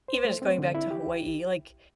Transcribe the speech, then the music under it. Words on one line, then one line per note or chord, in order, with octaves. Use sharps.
even just going back to Hawaii, like,
C5
A3
C4
D3
E4
G4